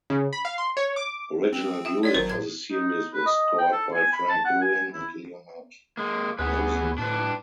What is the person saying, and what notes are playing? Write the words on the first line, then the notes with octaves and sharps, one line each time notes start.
Original music for the series was scored by Frank Lewin and Leonard Rosenman.
C#3
B5
F5
C6
C#5
D6
C4
F4 E5
F4 C#5 D5 G#6
G#1 F#3 A#4 C5
A2 G#6
D#4
B4
D#5
G5
A4
G#5
B5
A5
F#5
G#5
E4
G#3 A#3
D2 B3 G#4 B4
A2 D4 B4